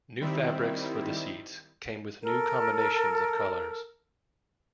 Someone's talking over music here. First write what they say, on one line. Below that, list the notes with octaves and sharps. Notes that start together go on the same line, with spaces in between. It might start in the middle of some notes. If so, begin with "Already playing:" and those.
New fabrics for the seats came with new combinations of colors.
D#3 G3 C4 E4
A4 A#4